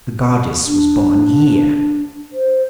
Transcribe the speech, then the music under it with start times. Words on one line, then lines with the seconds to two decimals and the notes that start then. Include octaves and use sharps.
The goddess was born here.
0.66 D4
2.33 C5